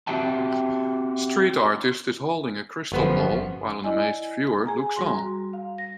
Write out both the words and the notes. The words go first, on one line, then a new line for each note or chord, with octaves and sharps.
Street artist is holding a crystal ball, while an amazed viewer looks on.
C4 F#4 G4 E5 G5 A5
G1 F#2 F3 B3 C5
E4 D5 D#5 G#5
G#4 G#5 A#5
G3 F#4 C6
A#5
F5
A#6